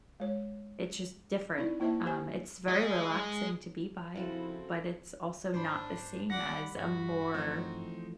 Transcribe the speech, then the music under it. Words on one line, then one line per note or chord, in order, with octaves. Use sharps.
It's just different. Um, it's very relaxing to be by, but it's also not the same as a more
G#3 C#5
C4 D#4 E4 D5
A#3 E4 C5 D#5 E5 A5
G4 C5 G#5
G#4 D#5
C#3 F3 C4 E4 F#4 A4
G#2 D4 C5 B5
F1 D#2 G3 D5 F#5 B5 A#6
G2 F#4
E3 F3 A3 C4 D#4